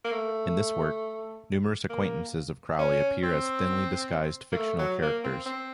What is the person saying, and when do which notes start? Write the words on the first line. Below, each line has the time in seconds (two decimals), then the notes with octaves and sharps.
In this work, numerous acquaintances of Crowley appear as thinly disguised fictional characters.
0.05 A#3
0.12 A3
1.90 A#3
2.79 C#4
3.23 C4
4.52 A#3
4.56 A3
4.79 F#3
5.02 A#3
5.24 C4
5.46 C4